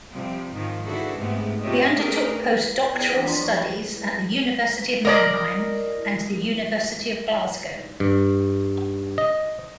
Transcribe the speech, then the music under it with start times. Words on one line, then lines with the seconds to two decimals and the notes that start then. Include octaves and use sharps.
He undertook post-Doctoral studies at the University of Mannheim and the University of Glasgow.
0.12 C3 F3 G3 C4
0.52 G#2 D#3 F3
0.85 D4 E4 F#4 G#4 A4
1.17 G#2 C3 G#3 A3 B3
1.61 C3 F4 G4 C#5 D#5 E5
1.96 A3 C#4 D4 G4 G#4 A#4
2.94 B3 D5 G5 A5
3.11 E3 D4 C5 C#5 F#5
3.25 F3 D4 F4 D5 A5 C6
3.41 F3 C#6
3.56 C#5 D#5 G5 B5
5.05 A#4 D5 D#5
8.00 G2
9.18 D#5